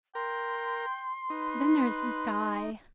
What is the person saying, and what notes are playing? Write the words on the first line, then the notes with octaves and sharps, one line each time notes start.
Then there's Guy.
A#4 G5 C6
D#4 B4